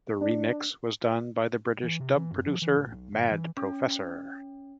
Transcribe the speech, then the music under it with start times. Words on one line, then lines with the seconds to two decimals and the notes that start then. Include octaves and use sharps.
The remix was done by the British dub producer Mad Professor.
0.21 D4
1.83 E3
2.00 C3
2.17 E3
2.31 F#2
2.46 F3
2.62 E3
2.77 A1
2.92 B1
3.12 G1
3.31 E3
3.57 C#4